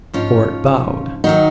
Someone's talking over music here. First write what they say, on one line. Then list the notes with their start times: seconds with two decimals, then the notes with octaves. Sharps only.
Fort bowed.
0.13 G#2 F3 C#4 F4
1.24 D#3 F#3 D#4 F#4